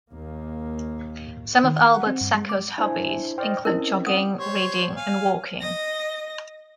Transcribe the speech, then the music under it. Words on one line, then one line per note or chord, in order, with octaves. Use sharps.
Some of Albert Sacco's hobbies include jogging, reading, and walking.
D#2 A#3
D#3
F#5
F#5
C4
G2
G#3
D6
D4 E4 C5 E5 G#5
C5 D5 D#5 G5 F6
C4 C#4 E4 A#4 D#5
F#5 D#6
G3 C5 C#5
F5 G#5
D#5 A#6